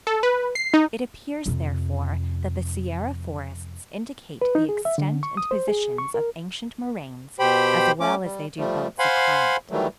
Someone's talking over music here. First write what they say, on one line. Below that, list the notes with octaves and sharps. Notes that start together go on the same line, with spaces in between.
It appears, therefore, that the Sierra forests indicate the extent and positions of ancient moraines as well as they do belts of climate.
A4
B4
C7
D#4
F2 C3
B4
D#4
G#4
E5
D3
C#6
D#6
C5
G#4
C#6
A#4
B2 G4 C5 G5 B5
A3 C#4 D6
G3
F3 G3 A3
C5 F5 F#5 G#5 B5 C6
D#3 E3 F#3 G3 A3